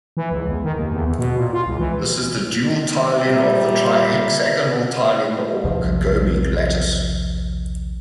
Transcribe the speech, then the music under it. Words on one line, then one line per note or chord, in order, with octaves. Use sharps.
This is the dual tiling of the trihexagonal tiling or kagome lattice.
E3
C#2
E2
D#3
D#2
E2
E2
B2
A#2
F4
C#2
E3
A#2 G3 E5 A#5
A#1 D#2 C3 F3